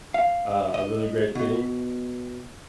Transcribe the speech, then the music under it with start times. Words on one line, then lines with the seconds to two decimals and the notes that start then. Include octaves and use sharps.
uh, a really great thing.
0.14 F5
0.74 D#5
1.35 B2